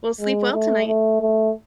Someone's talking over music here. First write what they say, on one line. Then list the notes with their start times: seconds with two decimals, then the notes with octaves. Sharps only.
Well, sleep well tonight.
0.20 G#3
0.54 A3
0.87 A3
1.21 A3